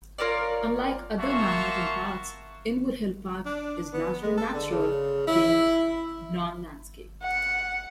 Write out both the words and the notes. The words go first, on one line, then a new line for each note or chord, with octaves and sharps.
Unlike other Manhattan parks, Inwood Hill Park is largely natural, being non-landscaped.
F4 A#4 C#5 D5
A#3 F4 F#4 E5 A5 C#6
D4
B3
G#3
A4
D3
C#3
E4
F#5